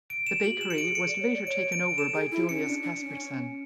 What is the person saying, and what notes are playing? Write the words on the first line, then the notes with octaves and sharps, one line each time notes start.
The bakery was later taken over by Julius Caspersen.
D7
E7
F#4 F#7
G#4
E7
F#4 C#7
G#4 D7
A4 C#7
D5
C#5
D5
C#5 D7
D7
A4 E7
G#4
E4
C#4 C#7
D4
D4
C#4